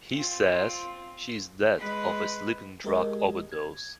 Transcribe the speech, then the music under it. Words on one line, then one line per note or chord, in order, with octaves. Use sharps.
He says she is dead of a sleeping drug overdose.
C4 F4
G#3 B4
G#3 G4 G#4 A#4 D#5
G#6